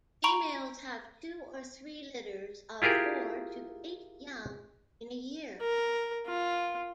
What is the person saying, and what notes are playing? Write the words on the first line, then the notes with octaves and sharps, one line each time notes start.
Females have two or three litters of four to eight young in a year.
A#5 B5 C#6 D7 F7
E4 F4 G4 G#4 A#4
A#4
F4